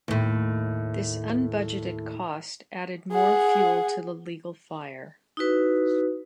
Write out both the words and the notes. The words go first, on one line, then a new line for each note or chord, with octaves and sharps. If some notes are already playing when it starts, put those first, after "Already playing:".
This unbudgeted cost added more fuel to the legal fire.
D#2 A2
G#4 F#5
D#4 E4 F#4 B4